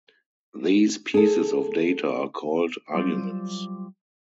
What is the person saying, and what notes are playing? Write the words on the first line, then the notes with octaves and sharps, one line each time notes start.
These pieces of data are called arguments.
G#4 A4
F#3 G3 F4 G4 C5